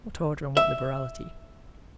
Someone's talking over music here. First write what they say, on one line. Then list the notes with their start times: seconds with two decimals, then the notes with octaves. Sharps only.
What order and what liberality!
0.57 E5